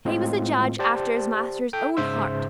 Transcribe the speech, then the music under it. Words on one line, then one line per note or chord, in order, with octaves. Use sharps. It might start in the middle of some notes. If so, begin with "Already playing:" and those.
He was a judge after his master's own heart.
A2 G#3 C4 F4
G4 C5 D5 A5
A4 G5
G#2 C#3 C5 E5 E6